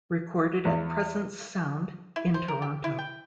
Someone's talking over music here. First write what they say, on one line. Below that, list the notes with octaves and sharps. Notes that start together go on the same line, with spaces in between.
Recorded at Presence Sound in Toronto.
E2
E4
C5
A#4
G4
E4
G5